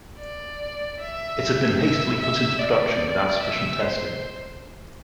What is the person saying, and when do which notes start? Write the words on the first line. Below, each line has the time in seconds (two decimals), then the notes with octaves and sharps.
It had been hastily put into production without sufficient testing.
0.19 D5
1.00 E5
1.80 E5
2.20 E5
2.59 D5
3.41 E5
3.80 C5